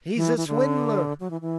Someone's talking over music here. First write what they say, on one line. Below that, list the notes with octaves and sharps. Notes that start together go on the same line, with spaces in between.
"He's a swindler!"
E3
E3
D3
F#3
E3
E3